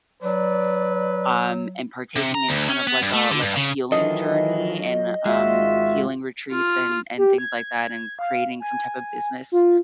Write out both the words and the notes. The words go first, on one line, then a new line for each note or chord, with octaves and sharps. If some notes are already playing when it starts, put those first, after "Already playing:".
um, and partaking in kind of, like a like a healing journey and, um, healing retreats and and things like that, and creating some type of business
F#3 B4 D5
C3
A#5
D2
C#4
B3
G2
A3
D3
G2
C#3
D#3 E3 F#3 F4 A4 D#5
G#1 G#3 F4 F#4 E5
F4
G4
G#6
F5
G#5
F4